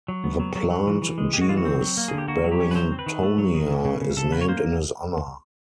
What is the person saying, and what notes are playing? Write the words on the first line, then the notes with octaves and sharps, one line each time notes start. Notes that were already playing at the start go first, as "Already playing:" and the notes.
The plant genus "Barringtonia" is named in his honour.
F#3
B3
F#3
F#3
F#3
E3
E3
G#3
G#3 G4
F#4
E3 F4
F#4
C4
F#3
A#3
D3 G#4
G4
A#3 F#4
F#3
G4
C#4
B4
F#3 C5
C4
B4
D#3
A3
F#3
D#3
C#3
C#3
C#3
C#3 A4
A#3 B4
C#5
A#3 C5